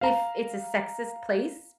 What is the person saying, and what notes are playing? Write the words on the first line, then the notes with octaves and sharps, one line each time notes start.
if it's a sexist place
F5 A#5